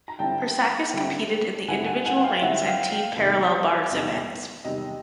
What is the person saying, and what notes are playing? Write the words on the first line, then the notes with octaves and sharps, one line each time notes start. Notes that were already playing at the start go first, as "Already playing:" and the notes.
Persakis competed in the individual rings and team parallel bars events.
A#5
D3 G3 C4 E4 G5 A5
D3 G3 C4 E4
D3 G3 C4 E4 F#5 G#5
F#5 G#5
F#5 G#5
F#5
F5 G5
D3 G3 C4 E4 E5 F#5
F5 G5
F5 G5
E2 C3 D#3 G3
E2 C3 D#3 G3
E2 C3 D#3 G3 D#5